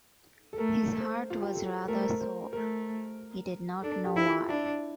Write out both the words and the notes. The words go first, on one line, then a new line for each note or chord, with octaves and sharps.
His heart was rather sore; he did not know why.
A4
A3 A#4
C5
F4
G4
A4
A3 A#4
C5
A#4
C5
A3 A#4
D4 A4
G4
E4
F4
D4 E4